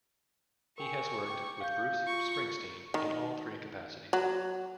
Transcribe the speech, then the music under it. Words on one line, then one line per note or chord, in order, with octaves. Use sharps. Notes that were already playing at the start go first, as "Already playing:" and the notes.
He has worked with Bruce Springsteen in all three capacities.
A#4 G5 G#5 C#6
G5 D6
F5 G6
F4 C#6
D#3
F#3